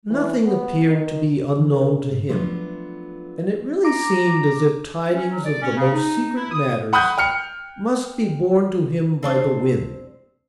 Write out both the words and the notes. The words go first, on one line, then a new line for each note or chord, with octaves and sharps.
Nothing appeared to be unknown to him, and it really seemed as if tidings of the most secret matters must be borne to him by the winds.
E3
B3
D#3
E3
A#4
B2
G#2
F3 F#3 A3 B3 D4 F4
A#5 D6
C#4
F#3
D5
C#4
C#3
D#4
E4
D#6
F#5 B5 D#6 F#6 G6
G5 F6 C#7
C4 D4 C5